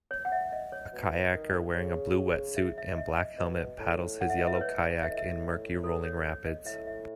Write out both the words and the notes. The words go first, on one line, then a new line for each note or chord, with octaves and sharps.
A kayaker wearing a blue wetsuit and black helmet paddles his yellow kayak in murky rolling rapids.
C#5
F#5
E5
D#5
C#5
B2
D#3
C#3
E5
E5
D#5
E5
D#5
B2 D#5
A2
F#5
E5
D#5
E5
B4
C#5
A2 E5
D#5
E5
A4
C#5
C#5
D#5
A2 E5
E5